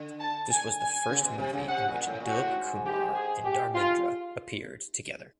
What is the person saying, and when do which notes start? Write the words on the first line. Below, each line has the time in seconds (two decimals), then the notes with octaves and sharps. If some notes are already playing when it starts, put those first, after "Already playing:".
This was the first movie in which Dilip Kumar and Dharmendra appeared together.
Already playing: D3
0.20 A5
0.50 G#5
0.79 G#5
1.09 C#3
1.23 B2
1.38 C3
1.53 C#3
1.68 C3 F#5
1.88 A#2
2.07 A2
2.20 A#2
2.26 A2 F#4
2.55 G#2
2.85 G#2 G4
3.15 G#4
3.44 G4
3.74 F4